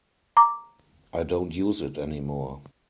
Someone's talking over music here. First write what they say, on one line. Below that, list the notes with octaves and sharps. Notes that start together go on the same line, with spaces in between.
I don't use it anymore.
A#5 D6